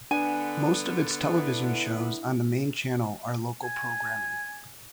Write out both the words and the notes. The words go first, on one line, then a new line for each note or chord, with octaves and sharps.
Most of its television shows on the main channel are local programming.
D3 B3 D4 G#5
E4
G#5